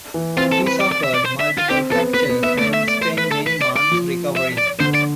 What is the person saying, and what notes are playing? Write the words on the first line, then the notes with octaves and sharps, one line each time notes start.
He suffered multiple fractures and spent many months recovering.
E3
C4 F4
A4
B4
D5
D5
E5
D5
C5
E5
F4
C4 G4
B3 A4
B3 B4
B3
B3 E5
A3 D5
E5
D5
C5
B4
A4
B4
D5
D5
F3
E5
D5
D3 C5
D5